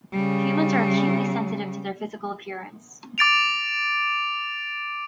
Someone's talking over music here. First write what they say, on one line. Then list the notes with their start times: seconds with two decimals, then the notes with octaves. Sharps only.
Humans are acutely sensitive to their physical appearance.
0.13 C#3 G3
3.18 D6 A6 D7 F7